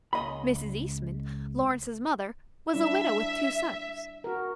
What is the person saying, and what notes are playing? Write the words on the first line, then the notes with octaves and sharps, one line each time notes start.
Mrs. Eastman, Lawrence's mother, was a widow with two sons.
C#2 D#5 B5
G3 D4 E4 E5
F#4 A#4